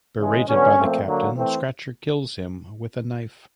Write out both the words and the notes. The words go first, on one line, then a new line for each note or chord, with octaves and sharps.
Berated by the captain, Scratcher kills him with a knife.
C#3 E3 G#3
D3 F#3 B3 C#4
A#2 F3 A3 C4
D3 F#3 A#3
E3 A3 C4